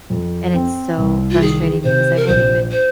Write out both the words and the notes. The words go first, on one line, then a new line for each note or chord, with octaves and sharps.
and it's so frustrating because I won't even
F2
C4
C2
F4
D#3 G#4
C3 C5
A#4
A#1 C5
C5